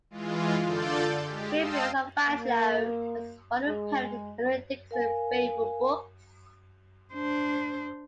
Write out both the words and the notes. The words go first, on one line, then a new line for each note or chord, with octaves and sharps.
"Reveries of a Bachelor" was one of poet Emily Dickinson's favorite books.
E3 G#3 F4
D3 F4 A4 D5 G6 A6
G#3 G4
D#5 F5 G5 A5 C6 E6
A#3
G#3
A#4 F5 G#5
D4 C5